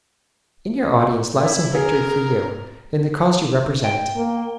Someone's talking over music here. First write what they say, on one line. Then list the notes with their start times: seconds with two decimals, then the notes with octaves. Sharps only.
In your audience lies some victory for you and the cause you represent.
1.42 E4
1.75 G#4 A#4
3.84 G5
4.16 A#3